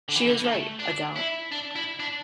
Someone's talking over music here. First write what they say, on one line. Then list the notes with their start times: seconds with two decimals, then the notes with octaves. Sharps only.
She is right, Adele.
0.09 D3
0.17 E3
0.26 D3
0.44 A3
0.79 D4
1.16 E4
1.52 D4
1.76 E4
2.00 D4